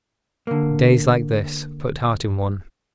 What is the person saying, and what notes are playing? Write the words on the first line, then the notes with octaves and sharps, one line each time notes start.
Days like this put heart in one.
D3 A#3